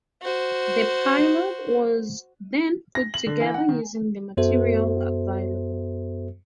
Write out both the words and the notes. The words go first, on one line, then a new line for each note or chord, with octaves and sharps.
The pilot was then put together using the material available.
F#4 C5
A#6
F#7
D3
E3
F#5
D#3
F#2 B3 F#4 A4 C5 E5